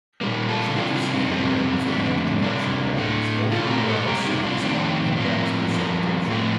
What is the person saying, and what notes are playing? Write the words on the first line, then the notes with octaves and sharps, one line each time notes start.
Changes in winds and convection patterns over and around cities impacts precipitation.
A#2 G3 A#3
F4 A4
C3 G3 A#3 D4 F4
D4 F4
C4 D#4
F2 C3 G3 A#3 C4
F2 D3 A3
C3 G3 A#3 D4
A2 A3
A#2 A3 F4 A4
G4 A#4
A4 C5
C3 G3 A#3 G4 A#4
D#4 G4
D4 F4
F2 D#3 A3 C4
D4
C4
A2 F3 A#3
G2 F3 A#3
A2 F3 A3